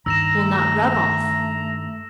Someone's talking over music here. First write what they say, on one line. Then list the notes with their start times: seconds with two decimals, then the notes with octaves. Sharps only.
Will not rub off.
0.06 G2 D#3 A#5 E6 A#6 E7
0.39 A3